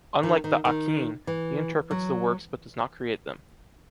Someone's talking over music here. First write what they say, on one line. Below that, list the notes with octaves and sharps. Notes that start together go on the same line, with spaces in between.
Unlike the aqyn, he interprets the works but does not create them.
D#3
D#3
D#3
E3
F#3